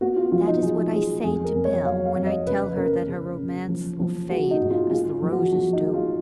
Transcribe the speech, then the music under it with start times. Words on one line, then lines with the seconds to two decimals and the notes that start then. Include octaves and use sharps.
That is what I say to Bell when I tell her that her romance will fade as the roses do.
0.01 B3 F#4
0.16 F4
0.32 F3 F4
0.47 D#4
0.62 F3 G#4
0.93 G#3
1.24 F2 G#4
1.44 A#4
1.54 F2
1.65 C#5
1.85 F#3 F5
2.05 F5
2.16 F2
2.26 D#5
2.47 C#3 B4
2.77 C#3 A#4
3.08 C#3
3.38 C#3
3.68 F3
4.00 F3
4.30 G#3 F#4
4.51 D#4
4.61 G#2
4.71 F4
4.91 G#3 F4
5.22 F3
5.32 F#4
5.52 F3
5.73 D#4
5.83 G#3
5.94 F4